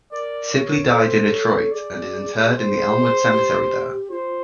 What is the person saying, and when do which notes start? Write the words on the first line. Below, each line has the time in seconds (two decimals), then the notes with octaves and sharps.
Sibley died in Detroit and is interred in Elmwood Cemetery there.
0.12 A#4 D5
0.53 C#5
0.92 A4 C5
1.33 C#5
1.72 G#4 D5
2.52 C5
3.32 G4
4.11 F4 C5